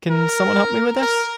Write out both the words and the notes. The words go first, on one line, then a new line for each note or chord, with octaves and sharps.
Can someone help me with this?
A#4
A#4